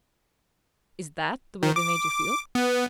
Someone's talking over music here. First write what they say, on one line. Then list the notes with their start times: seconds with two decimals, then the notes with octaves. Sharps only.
"Is THAT the way they made you feel?"
1.63 D#3
1.76 D6
2.55 B3